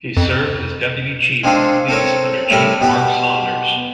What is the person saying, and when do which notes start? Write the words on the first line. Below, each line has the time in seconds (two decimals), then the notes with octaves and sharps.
He served as Deputy Chief of Police under Chief Mark Saunders.
0.17 F2
1.44 G#3 C4 D4 F4 A4
1.89 C4 A4 A#4 C#5
2.50 A2 G3 A4 A#4 B5
2.81 B2 G4 B4 B5